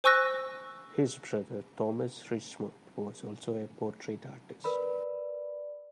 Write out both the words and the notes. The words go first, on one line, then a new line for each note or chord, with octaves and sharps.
His brother Thomas Richmond was also a portrait artist.
C5 G#5 C#6 E6 F#6 A#6
A#4 B4 D5 B5